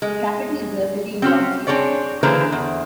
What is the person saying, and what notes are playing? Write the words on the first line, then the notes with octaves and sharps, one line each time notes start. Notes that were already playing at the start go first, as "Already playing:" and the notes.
Its capital is the city of Bauchi.
G#3
C4 C#4 F#4 C5
C4 D4 G#4 C#5 D5
D3 E3 A#3 G#4 B4 C5
E2